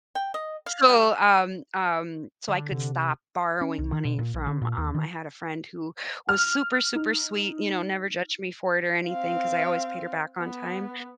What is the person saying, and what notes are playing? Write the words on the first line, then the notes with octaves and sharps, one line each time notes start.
So, um um, so I could stop borrowing money from, um, I had a friend who was super, super sweet, you know, never judged me for it or anything 'cause I always paid her back on time.
G5
D#5
F5
G3
D3
C3
C#4
C2
D#3
B2
A#2
A#1
D3
A#2
D#2
D#3
F6
D#4
C4 F5
B3